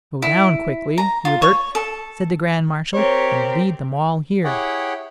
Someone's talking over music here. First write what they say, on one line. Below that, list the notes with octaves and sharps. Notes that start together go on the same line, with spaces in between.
"Go down quickly, Hubert," said the Grand Marshal, "and lead them all here."
E4
A#5
F4
C#5
A4
C4 G4 A#4 C#5
E4 G4 G#4 C#5 F#5 G5